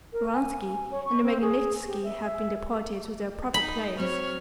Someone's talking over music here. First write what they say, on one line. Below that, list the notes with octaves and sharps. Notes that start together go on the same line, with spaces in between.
Speranski and Magnitski have been deported to their proper place.
A#4
G#5
C#5
C#6
C4
G#4
G4
E5
E5
D#4 D#5 B5
F#3 C4 C#5 F6